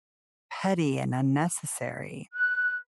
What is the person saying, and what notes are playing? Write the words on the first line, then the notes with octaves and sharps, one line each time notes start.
petty and unnecessary.
F#6